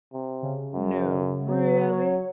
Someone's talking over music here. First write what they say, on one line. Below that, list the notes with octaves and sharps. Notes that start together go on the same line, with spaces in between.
'No, really?
C3
C#3
F#2
F#3
C#5